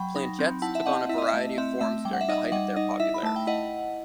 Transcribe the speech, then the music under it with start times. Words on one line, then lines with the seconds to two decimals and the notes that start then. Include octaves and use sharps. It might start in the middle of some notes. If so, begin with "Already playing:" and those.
Planchettes took on a variety of forms during the height of their popularity.
Already playing: F#3 G5 B5
0.16 D#4
0.39 C4
0.62 E4 F#5 A5
0.75 E5
0.86 C4 D#5 F#5
1.09 E4 E5
1.18 D#5
1.27 E5
1.34 A3
1.58 C4 E5
1.81 A3 E5
2.05 G3 G5
2.13 F#5
2.21 E5
2.29 D#4 D#5 F#5
2.52 G3 D#5 F#5
2.76 D#4 D#5
3.00 E4 E5
3.14 B5
3.23 A3 A5
3.36 G5
3.47 E4 D#5 F#5